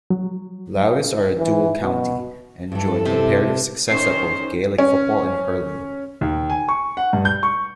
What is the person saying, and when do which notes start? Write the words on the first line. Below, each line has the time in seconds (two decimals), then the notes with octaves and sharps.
Laois are a dual county, enjoying comparative success at both Gaelic football and hurling.
0.10 F#3
1.38 E3
1.82 B2
2.72 G2 E3 A4
3.05 C3 E5
3.88 D#3 C#4 C5 C7
4.78 C#4
6.21 D#2
6.50 G#5
6.69 C#6
6.97 F#5
7.13 G2
7.25 G6
7.43 C#6